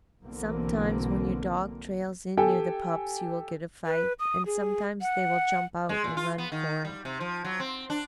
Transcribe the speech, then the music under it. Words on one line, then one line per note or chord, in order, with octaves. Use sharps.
Sometimes when your dog trails in near the pups you will get a fight, and sometimes they will jump out and run for it.
B1 B2 D3 E3 A#3 C4
G4 A4 G5 G#5
B4
D#6
G#4
F#5
G#3
A#2
F4
B3
D#3
G3
C3
F3
F#3
C4
D4